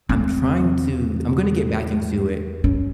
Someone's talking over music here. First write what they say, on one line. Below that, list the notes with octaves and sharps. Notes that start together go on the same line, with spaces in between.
I'm trying to I'm gonna get back into it,
E2 C4
F#2 C#4